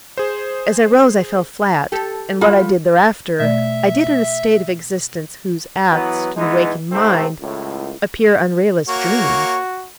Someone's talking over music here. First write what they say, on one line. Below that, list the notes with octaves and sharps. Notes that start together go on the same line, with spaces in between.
As I rose, I fell flat: and what I did thereafter I did in a state of existence whose acts, to the waking mind, appear unreal as dream.
G#4 C5
G4 A4
G3 F4 F#4 B5
B2 A3 D5 E5
E3 F#3 B3
E3 G#3 B3 D#4
G#2 C3 A3 C4
C#2 A2
A#3 F#4 C#5 C#6